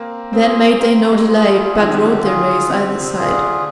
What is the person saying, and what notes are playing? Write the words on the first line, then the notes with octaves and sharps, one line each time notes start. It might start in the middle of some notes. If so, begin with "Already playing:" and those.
Then made they no delay but rode their ways either side.
Already playing: A#3 C4
C4 F4 G#4
A#3 C4
G#3
F4 G#4
G3
F3 C4
D#3
D3
D#3
D3
F4 G#4
D3 C4
C3
F4 G#4
D3